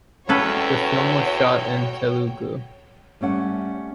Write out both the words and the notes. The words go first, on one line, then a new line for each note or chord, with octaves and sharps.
The film was shot in Telugu.
E2 C#4 F#4 A4 B4 C#5 G5
G3 A3 C#4 F#5